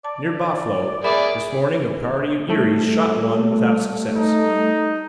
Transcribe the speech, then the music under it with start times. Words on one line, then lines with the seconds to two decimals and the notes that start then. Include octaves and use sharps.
Near Bah-flo this morning a party of Eries shot one without success.
0.04 D5 A5
1.04 G#4 A#4 D5 E5 B5
2.48 G3 A3 A4
4.16 D#4